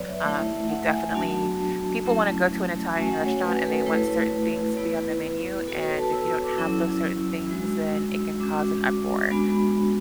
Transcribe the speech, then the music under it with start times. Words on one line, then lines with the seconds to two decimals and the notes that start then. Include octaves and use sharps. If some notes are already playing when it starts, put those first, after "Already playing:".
Um, you definitely people wanna go to an Italian restaurant, and they want certain things to be on the menu, and if you don't have those certain things, then it can cause an uproar.
Already playing: F#3 B3 B4 C#5 D5
0.09 E5
0.23 A3 E4
0.69 F#5
0.92 G#5
1.15 F#3 B3 D4 F#4 A5
2.05 F#3 A3 C#4 E4
2.96 A3 C#4 F#4 G#5
3.11 F#5
3.26 C#5
3.41 B4
3.56 B4
3.67 A4
3.71 B4
3.86 A3 E4 B4
3.96 C#5
4.06 B4
4.77 B3 E4 B4
5.67 B3 F#4 A4
5.77 C#5
5.83 B4
5.98 A5
6.13 E6
6.28 E6
6.44 D6
6.58 F#3 C#4 E4 E6
7.49 G#3 D4 F#4 E6
7.94 E6
8.39 G#3 C#4 F#4 D6
8.84 D6
9.30 G#3 B3 D4 F#4 B5